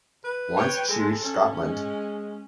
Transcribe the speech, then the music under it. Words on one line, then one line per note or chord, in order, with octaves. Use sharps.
Once she reached Scotland.
B4
C#5 G5
G#3 A4
C#4
G#3